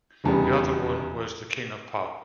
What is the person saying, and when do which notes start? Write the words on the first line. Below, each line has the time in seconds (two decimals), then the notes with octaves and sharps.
The other one was the King of Pop.
0.24 F1 E2 C#3 E3 G3